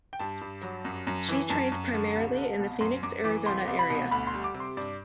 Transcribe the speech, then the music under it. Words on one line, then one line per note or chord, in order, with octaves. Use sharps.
She trained primarily in the Phoenix, Arizona area.
G5
G2 A5
G2
F#3
F#2
F#2
E3
F#2 A5
F#2
D3
C2
C2
B2
F#2 C6
F#2 D6
E3 D6
C2 C6
C2
B5
B2
D2 B5
C6
G3
D6
C3
C6
G2 D5